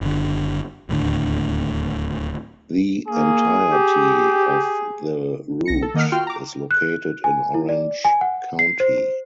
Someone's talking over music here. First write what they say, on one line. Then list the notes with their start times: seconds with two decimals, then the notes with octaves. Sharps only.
The entirety of the route is located in Orange County.
0.01 F#1 D3
0.89 D1 D#2 A2 D3
3.07 A#3 G#4
3.71 G4
5.65 B1 A#6 C#7
5.82 A4
5.94 D#3 A#3 D#5 F#5 F6
6.12 F4 F#4 G5 C6 F6
6.27 A#5 D6
6.71 F#6
7.24 G#5
7.54 E4
7.69 D5
8.05 G#5
8.21 F#5
8.59 C7
8.80 C5